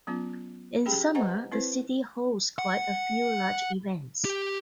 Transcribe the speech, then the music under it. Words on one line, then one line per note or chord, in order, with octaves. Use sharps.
In summer, the city hosts quite a few large events.
F#3 B3 C#4 F4
C#4 G4 G#4 G5 B5
B4 C5 D#5 F#5 G#5 A#5
C4 E4 B4 C5
F#5
G4